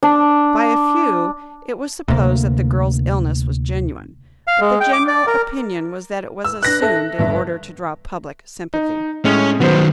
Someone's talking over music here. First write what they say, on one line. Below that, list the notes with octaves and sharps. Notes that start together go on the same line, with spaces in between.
By a few it was supposed that the girl's illness was genuine, but the general opinion was that it was assumed, in order to draw public sympathy.
D4
D2 C3 A#3
F5
G#3
G5
D6
D5
A#4
E6
D4 B4 F#6 A#6
A4 E5
G1 G2 E5
D#4
A2 G#3 C#4
D#3 F#3 B3 C5